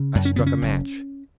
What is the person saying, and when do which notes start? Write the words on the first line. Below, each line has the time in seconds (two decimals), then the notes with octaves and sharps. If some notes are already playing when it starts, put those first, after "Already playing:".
I struck a match.
Already playing: C#3
0.15 F#2
0.25 C#4
0.36 C#3 B3
0.46 C#4
0.62 F#1